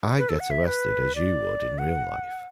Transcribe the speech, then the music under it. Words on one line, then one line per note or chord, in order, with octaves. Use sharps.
I get arrested as you would in real life.
B4
A4
F#5
E5
B4
D5
F#5